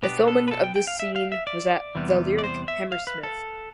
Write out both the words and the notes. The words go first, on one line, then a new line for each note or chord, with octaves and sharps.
The filming of this scene was at The Lyric Hammersmith.
B2 B3 D4 G4
A4
B4
A4
G5
G5
F5
E5
F5
E5
D5
E2 C3 E3 G3 B3
D5
C5
E5
F5
B4
A4